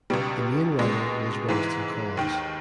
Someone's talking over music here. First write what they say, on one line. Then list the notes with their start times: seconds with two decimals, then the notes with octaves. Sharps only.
The main writer was Royston Caws.
0.10 C#2 B2 G3
0.79 C#2 B2 G#3
1.49 G#2 E3
2.17 D#2 D#3